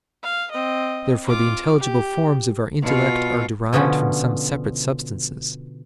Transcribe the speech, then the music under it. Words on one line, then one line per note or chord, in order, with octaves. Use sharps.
Therefore the intelligible forms of our intellect are derived from some separate substances.
F5
C4 D#5
F4 D6
G4
B2 F4
B2 D3 F3 C#4 B5